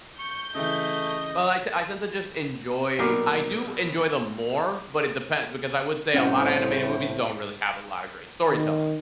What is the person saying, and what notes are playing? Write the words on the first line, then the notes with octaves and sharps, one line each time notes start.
Well, I te I tend to just enjoy I do enjoy them more, but it depends, because I would say a lotta animated movies don't really have a lotta great storytelling;
C#6 G6
C#3 E3 A3 D#5
B1 A#2 A#4 D6
C2 A2 C#4 C5 F#5
D#3